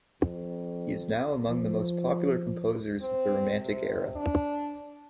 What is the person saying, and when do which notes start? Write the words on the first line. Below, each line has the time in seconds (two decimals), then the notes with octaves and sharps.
He is now among the most popular composers of the Romantic era.
0.22 F2
1.49 F3
3.01 C4
3.59 C3
4.16 D4